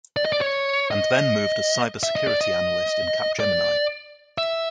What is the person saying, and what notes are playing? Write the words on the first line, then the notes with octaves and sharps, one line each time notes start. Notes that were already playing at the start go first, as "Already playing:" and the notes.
And then moved as Cyber Security analyst in Capgemini.
D5
D#5
D5
C#5
D#5
E5
D#5
D5
D#5
D5
E5